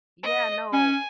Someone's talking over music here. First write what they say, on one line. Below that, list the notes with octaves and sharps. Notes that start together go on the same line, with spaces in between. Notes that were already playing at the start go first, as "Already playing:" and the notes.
yeah, no.
D#5
C#4 G#5